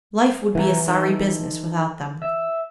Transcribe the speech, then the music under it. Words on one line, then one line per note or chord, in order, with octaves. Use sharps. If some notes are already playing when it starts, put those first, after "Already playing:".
Life would be a sorry business without them.
C3 E3 F#5 A#5
D#4 A4
E5